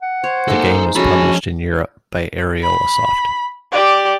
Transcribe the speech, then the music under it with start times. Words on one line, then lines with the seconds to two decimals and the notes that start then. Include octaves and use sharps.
The game was published in Europe by Ariolasoft.
0.02 F#5
0.24 C5 C#5
0.48 G#3 A#3 D#4 A4 A#4
0.96 F3 G#3 C#4 D4 F#4 A4 B5
2.63 B5
3.72 G4 D5